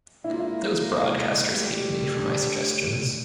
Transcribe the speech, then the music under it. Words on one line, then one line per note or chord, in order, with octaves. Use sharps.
Those broadcasters hate me for my suggestions.
G#3 A#3 E4
F4
E4
G3 A3
D4